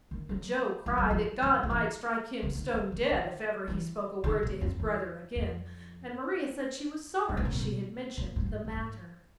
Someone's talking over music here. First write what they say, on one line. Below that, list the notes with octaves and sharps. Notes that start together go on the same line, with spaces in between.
But Joe cried that God might strike him stone dead if ever he spoke a word to his brother again and Maria said she was sorry she had mentioned the matter.
D#3
F#3
F3
F#3
F3
F3
F3
E3
D3
D#3
D#3
D#3
D#3
E3
D#3
A#2
F2
E2
F2
G2
G#2
A2
A#2
B2
A#2
G#2
A2
A2
G#2